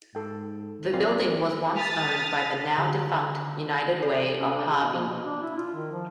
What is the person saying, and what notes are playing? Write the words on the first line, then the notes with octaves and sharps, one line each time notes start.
The building was once owned by the now defunct United Way of Harvey.
G#2 A4 G5
F#3 C4 F4 D5 G#5
A5 D#6 F6 A6 B6
D3
A4 D5
C#4
D4
G#4
B2
F3
B2
D4
E4
F4
D#3
F3